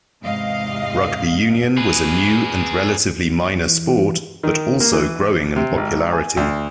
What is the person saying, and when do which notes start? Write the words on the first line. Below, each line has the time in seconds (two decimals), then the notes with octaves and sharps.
Rugby union was a new and relatively minor sport, but also growing in popularity.
0.22 E2 G#2 C3 D#5 F5
1.77 G#4 B4
3.56 E3
4.43 D#3
4.80 A#3
4.93 E3
5.56 C3
5.77 G#1
6.13 G#5
6.37 D2